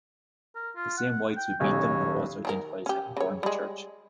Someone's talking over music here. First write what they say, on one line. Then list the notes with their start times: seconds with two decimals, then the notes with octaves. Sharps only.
The same whites who beat them were also identified as having burned the church.
0.55 A#4
0.76 F4
0.97 F#5
1.37 G5
1.60 D#1 B1 C#5
2.45 D#3 D4 A#4
2.86 C#4 G4
3.17 C#3 C#5
3.43 G3 G#3